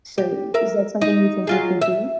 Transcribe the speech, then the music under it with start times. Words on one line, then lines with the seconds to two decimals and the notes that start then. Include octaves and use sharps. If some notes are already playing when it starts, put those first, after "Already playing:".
So is that something you think you could do?
0.18 G4
0.54 A#4 E5
1.02 D#4
1.47 F#3 F4 G#4
1.82 E5